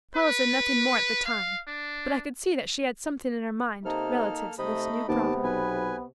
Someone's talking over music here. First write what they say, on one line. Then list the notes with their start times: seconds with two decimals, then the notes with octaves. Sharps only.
Paula said nothing more at the time, but I could see that she had something in her mind relative to this new problem.
0.16 B4
1.25 F5
1.67 D4
3.85 C3 A#3 D#4 A4 F6
4.59 C3 A3 D#4 D#5 B5
5.09 D#2 C3 B3 A5 D6
5.44 B1 B4 G#5